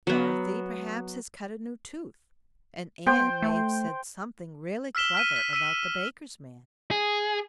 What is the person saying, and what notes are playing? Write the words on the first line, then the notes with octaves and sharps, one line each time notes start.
Dorothy perhaps has cut a new tooth and Anne may have said something really clever about the baker's man.
F#3 B3
B3 C5 G5
A3
E6 F6 B6 E7 G7
F6 B6 D#7
B6
E6 B6 D#7
G#4